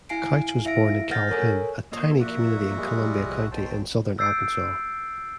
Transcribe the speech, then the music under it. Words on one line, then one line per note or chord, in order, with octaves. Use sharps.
Couch was born in Calhoun, a tiny community in Columbia County in southern Arkansas.
E4 F5 G#5 C7 D7
E4 E5 F5 A#6 D7
F#5 F6 G6 A6 A#6
A4 A#4 C#5 G#5
A#3 F4 C#5 D#5 C6 E6
F3 F4 F#4 D5 E5 F#5
G3 G#3
B1
B2 F#3 C5 G5 A5
E6 G6 A6 C7 D7